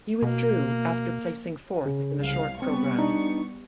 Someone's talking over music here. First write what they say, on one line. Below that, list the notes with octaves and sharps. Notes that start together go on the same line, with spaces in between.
He withdrew after placing fourth in the short program.
B2 A#3
C#3
C2 F5
G3 B3 C4 C#6
D4 D#4